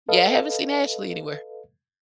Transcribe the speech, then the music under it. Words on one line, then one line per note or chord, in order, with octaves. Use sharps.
Yeah, I haven't seen Ashley anywhere.
A4 B4 D#5 F5